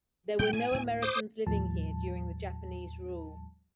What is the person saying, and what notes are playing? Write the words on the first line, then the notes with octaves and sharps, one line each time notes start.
There were no Americans living here during the Japanese rule.
A#2 G3 G#3 G5 G6
A2 G#5
D2 A2
C5 D6 D#6
D#2 A2 F3 G3 A5